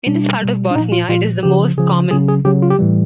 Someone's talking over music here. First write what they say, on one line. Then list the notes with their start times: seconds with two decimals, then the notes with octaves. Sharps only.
In this part of Bosnia it is the most common.
0.06 B2 G3 D4
0.41 B2 G3
0.71 D4
0.75 A#2 D#4
0.80 F3
0.92 F4
1.09 A#2 F3 F4
1.43 C#3 F3 G4
1.77 C#3 F3 G#4
2.11 C#3 F#3 G#4
2.28 G#4
2.45 C#3 F#3 G4
2.62 F4
2.70 G4
2.79 A2 E3 G3